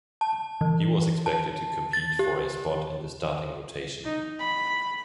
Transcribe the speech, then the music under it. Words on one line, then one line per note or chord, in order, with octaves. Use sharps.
He was expected to compete for a spot in the starting rotation.
A5
E3
A5
A6
G4
D#4
B5